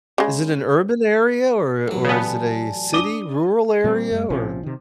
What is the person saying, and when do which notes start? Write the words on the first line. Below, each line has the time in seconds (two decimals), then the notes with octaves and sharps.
Is it an urban area, or or is it a city, rural area? Or
0.18 C#3 G#3
1.88 A1 F#3
2.05 C#3 B3 D5 G#5 A5
2.93 D4 D6 D#6 G7
3.84 A#2 G3 B3 C4
4.11 F#2 G#3
4.30 A#1 C3 F3 C#4
4.63 C3 D#3